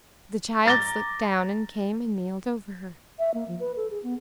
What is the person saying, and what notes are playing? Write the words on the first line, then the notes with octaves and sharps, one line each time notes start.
The child slipped down and came and kneeled over her.
A#5 D6 A6 A#6 G7
E5
A#3
F3
B4
A4
G#4
B3